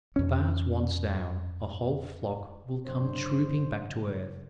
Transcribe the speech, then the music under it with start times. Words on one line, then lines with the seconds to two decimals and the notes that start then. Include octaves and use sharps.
The bars once down, a whole flock will come trooping back to earth.
0.16 F2 C#4
2.86 G2 C#3 F#3 C5